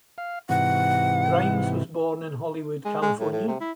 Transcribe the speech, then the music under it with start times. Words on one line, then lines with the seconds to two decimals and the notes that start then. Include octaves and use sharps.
Grimes was born in Hollywood, California.
0.18 F5
0.49 G#2 C3 E3 F#5
2.85 G#3
3.02 G#3
3.20 A2
3.32 A2
3.48 C3
3.61 E4